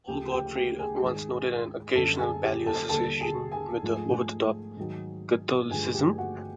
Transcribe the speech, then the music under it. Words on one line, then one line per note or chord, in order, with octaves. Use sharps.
Paul Gottfried once noted an occasional paleo association with over-the-top Catholicism.
D2 C#3 F3 A3 G4 G5
G4 G5
G4 G5
G#4 G#5
G#2 D#3 G#3
F#2 D3 G3 A4 A5
G#4 G#5
G4 G5
A4 A5
D#2 D3 G3 A4 A5
G#4 G#5
G#4 G#5
G#2 F3 A3
G#2 D#3 F#3
G2 D3 F3 A3 G#4 G#5
G4 G5
F#4 F#5